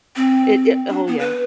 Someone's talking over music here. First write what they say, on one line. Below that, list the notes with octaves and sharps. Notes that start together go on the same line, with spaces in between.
It it Oh, yeah.
C4
D4
B3
B4